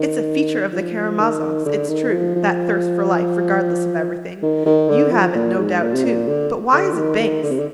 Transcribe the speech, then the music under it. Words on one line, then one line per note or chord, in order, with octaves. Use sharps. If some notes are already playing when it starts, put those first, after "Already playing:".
It's a feature of the Karamazovs, it's true, that thirst for life regardless of everything; you have it no doubt too, but why is it base?
Already playing: D#3
F3
D#3
D3
D#3
F3
F3
D#3
D#3
D3
F3
A#2
G#2
A#2
C3
A#2
D3
D3
F3
D#3
D#3
D3
C3
D3